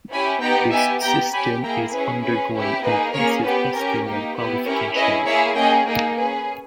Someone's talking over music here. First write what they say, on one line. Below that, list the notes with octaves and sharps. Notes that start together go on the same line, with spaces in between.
This system is undergoing intensive testing and qualification.
C#4 E4 G4 G#5 B5
B3 D#4 G4 G5 A#5
B3 G4 E5 G#5
B3 G4 G5 A#5
C#4 G4 G#5 B5
A#3 E4 G#4 G5 A#5
C#4 E4 G#4 B4
C#4 G#4 B4
C#4 E4 G4
A#3 D#4 G#4 B4 D#5
A#3 C#4 G#4 A#4 C#5
B3 G4 B4
C#4 G4 A#4
A#3 D#4 G4
B3 E4 G4 B4
C#4 E4 G4 A#4 C#5
C#4 E4 G#4 B4 D#5
A#3 E4 G#4 C#5 E5
A#3 C#4 G#4 D#5 G5
A#3 D#4 G#4 A#4
C#4 G#4 B4